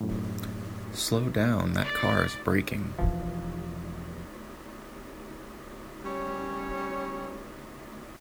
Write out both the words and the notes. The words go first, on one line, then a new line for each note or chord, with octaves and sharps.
Slow down, that car is braking!
F#2 A2
D5
E1 E3 F3
G3 C#4 C#5